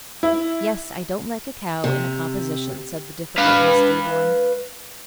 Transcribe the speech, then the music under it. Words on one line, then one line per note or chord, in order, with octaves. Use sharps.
"Yes, I don't like a cow in a composition," said the difficult Miss Dearborn.
E4
C3
B4 F5